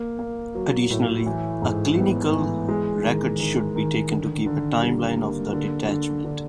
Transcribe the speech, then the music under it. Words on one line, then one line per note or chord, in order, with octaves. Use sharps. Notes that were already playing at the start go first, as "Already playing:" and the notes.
Additionally, a clinical record should be taken to keep a timeline of the detachment.
Already playing: A#3
A#3
F#3
A2
E3
G#2
B3
E3
G#3
D#3
D#3
D#3
D3
D3
G3
A#3
D3
D3
D3